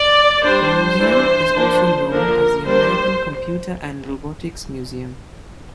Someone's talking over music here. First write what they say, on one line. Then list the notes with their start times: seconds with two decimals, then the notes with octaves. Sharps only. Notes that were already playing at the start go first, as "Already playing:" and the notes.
The museum is also known as the American Computer and Robotics Museum.
Already playing: D5
0.44 G3 D4 C5
0.99 E3 G3 D4
1.55 F3 A#3 D4
2.10 D3 F3 A#3 D4 A#4
2.66 G3 A#3 D4 C5